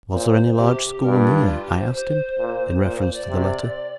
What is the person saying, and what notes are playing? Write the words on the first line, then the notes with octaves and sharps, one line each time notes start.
"Was there any large school near?" I asked him, in reference to the letter.
A#2 C5
C5
C3 G4
G2 A#4
A#4
F4
D4
F4
G4
C5
C5
A#2
A#2 C5
C5
D5
C3